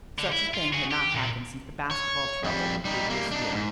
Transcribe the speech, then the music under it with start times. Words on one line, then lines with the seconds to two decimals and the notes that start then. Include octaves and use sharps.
Such a thing had not happened since the basketball trouble the previous year.
0.19 D3
0.32 E4
0.54 F4
0.73 F#4 G#4
0.91 G4
1.15 A#2
1.91 C#5
2.44 F2 G3
2.85 G3 D#4
3.10 G3 A#3
3.32 D4 D#4
3.53 G#2